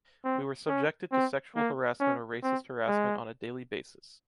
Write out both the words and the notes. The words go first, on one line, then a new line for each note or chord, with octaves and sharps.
We were subjected to sexual harassment or racist harassment on a daily basis.
C4
C#4
C4
A#3
C#4
C4
G#3